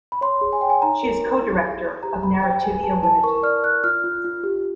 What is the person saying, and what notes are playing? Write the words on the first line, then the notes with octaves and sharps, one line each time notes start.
She is co-director of Narrativia Limited.
B5
C#5 C6
G#4
G#5
C#5 G5
G#5
D#4 A#5
A#4
F#4
E4
G#4
G#4
G4 A#5
C5 B5
C5 G5
B4 G#5
B4 A5
E4 A5
A#4 C#6
D5 F6
D5 F#6
F4 F6
F4
F4
G4